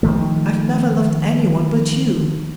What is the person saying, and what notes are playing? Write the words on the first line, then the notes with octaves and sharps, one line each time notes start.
I've never loved anyone but you.
D#3 F3 A3